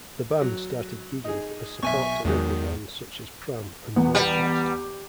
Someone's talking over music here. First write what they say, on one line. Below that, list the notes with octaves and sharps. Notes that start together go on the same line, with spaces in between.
The band started gigging as support to local bands such as Pram and Broadcast.
F#3
D#4 G#4
B1 E5 G#5 C#6
E2 G#2 D#3 F#3
E2 B3
G3